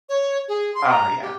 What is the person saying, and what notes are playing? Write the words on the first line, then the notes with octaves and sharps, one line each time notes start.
Oh, yeah.
C#5
G#4
C6
A#5
G4